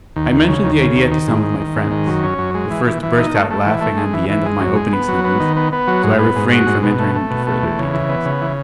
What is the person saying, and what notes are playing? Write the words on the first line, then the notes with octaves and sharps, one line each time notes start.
I mentioned the idea to some of my friends: the first burst out laughing at the end of my opening sentence, so I refrained from entering into further details.
D#2
D#2
C#3
D#2
C#3
D#2
D#3
G#2
D#3
D#3
G#2
D#3
F#2
C#4
F#2
G#3
E3
E3
E3
D#4
A3
A3
E3
A3
G#3
E3
E3
G#3
F#2
G#3
B3
F#3
B3
D#3
B3
B3
F#3
G#2
B3
G#2
F#4
G#2
B2
A3
A3
B2
A3
E2
C#3
E3
B3
C#3
E3